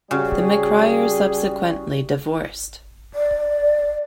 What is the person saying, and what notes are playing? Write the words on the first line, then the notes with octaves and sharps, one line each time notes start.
The McCrerys subsequently divorced.
C#3 G3 C#4 F#4 G#4
D5